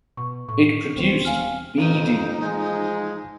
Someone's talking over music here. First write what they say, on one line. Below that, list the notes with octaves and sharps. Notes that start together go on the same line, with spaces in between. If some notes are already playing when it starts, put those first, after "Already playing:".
It produced beedi.
B2 C#6
A2 C#6
E1 D#2 C4
F5 G#5 F6
A1 F2 D#4
F3 G#3